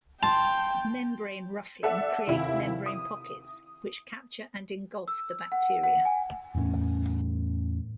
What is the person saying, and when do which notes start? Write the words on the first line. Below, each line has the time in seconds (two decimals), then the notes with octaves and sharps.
Membrane ruffling creates membrane pockets which capture and engulf the bacteria.
0.23 G5 A5 C6
1.83 A4 D5 E5 F#5
2.27 D#2 C3 E4
2.86 D#6
5.08 E6
5.52 F#5
5.83 F#5
6.05 G#5
6.55 E2 A2 C4 C#4